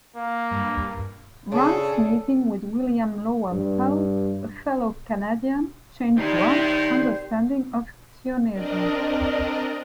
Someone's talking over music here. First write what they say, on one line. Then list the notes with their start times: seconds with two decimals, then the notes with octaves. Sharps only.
Rand's meeting with William Lovell Hull, a fellow Canadian, changed Rand's understanding of Zionism.
0.15 A#3
0.51 G2
1.52 C#3 D4 G#4 A4
3.52 G2
6.18 A2 D#3 D#4 G4 C5 D5 G5
8.51 C4 D4 A#4 D5 D#5